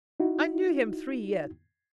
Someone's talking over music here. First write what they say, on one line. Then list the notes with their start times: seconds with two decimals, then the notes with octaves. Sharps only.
I knew him three years.
0.20 D#4 E4 F#4